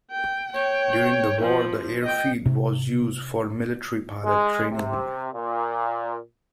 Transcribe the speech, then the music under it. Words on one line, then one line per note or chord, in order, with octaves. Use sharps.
During the war, the airfield was used for military pilot training.
G5
C#5 G5
F3
D#5 G5
C3
G#3
C3
A#2